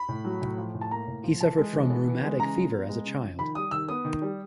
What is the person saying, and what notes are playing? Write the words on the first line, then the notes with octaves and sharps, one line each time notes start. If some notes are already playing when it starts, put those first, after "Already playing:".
He suffered from rhuematic fever as a child.
Already playing: B5
A2
F#3
A2
F3
A2
A5
A#3 A#5
A2
F3
E3 A5
G#3
E3
B3
E3
G#3
C#3 A#5
F3
B3
G#3
C#3
F3
D#3 B5
G3 D#6
D#3 E6
B3 D#6
D#3
G3